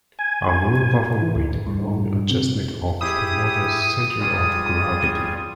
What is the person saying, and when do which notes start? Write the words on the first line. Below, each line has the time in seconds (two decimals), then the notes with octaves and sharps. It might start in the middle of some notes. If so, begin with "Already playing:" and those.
A movable weight allowed adjustment of the model's centre of gravity.
0.19 G#5
1.22 E3
1.35 D2
1.67 G2
2.31 C3
3.01 E4 G4 G#4 D#6
4.20 G3 F4 G#4